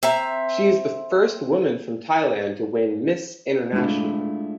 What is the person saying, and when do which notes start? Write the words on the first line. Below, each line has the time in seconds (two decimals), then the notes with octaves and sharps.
She is the first woman from Thailand to win Miss International.
0.03 C4 E5 A#5
3.73 G#3 A3 D4 E4 F4